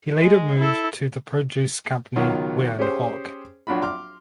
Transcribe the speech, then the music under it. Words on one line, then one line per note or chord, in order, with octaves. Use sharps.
He later moved to the produce company Wyer and Hawke.
G#3
E4 A4
C#2 B2 D#3 F#3 F4
C#4 G4 G#4 C5
A#1 F#3 D4 F4 F#4 B5
C6 D6 F6